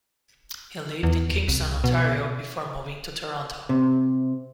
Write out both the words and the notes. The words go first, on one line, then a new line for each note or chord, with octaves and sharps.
He lived in Kingston, Ontario, before moving to Toronto.
E2
C2
B2
C3